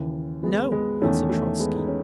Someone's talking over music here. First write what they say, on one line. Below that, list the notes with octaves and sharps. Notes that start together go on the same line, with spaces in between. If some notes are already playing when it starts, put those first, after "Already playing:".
"No," answered Trotzky.
Already playing: D#2 C#3 E3
G#3 B3
G#3 B3
E2 D#3 A3 C#4
A3
G#3 B3
D#4
C#4